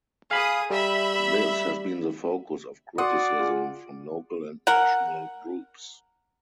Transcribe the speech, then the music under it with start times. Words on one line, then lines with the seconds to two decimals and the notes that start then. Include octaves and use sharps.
This has been the focus of criticism from local and national groups.
0.31 G#4 F5 B5 D#6
0.70 G3 E5 B5
2.98 F#4 D5 F#5 C6 D#6
3.39 F4 G#4
4.67 A#4 F#5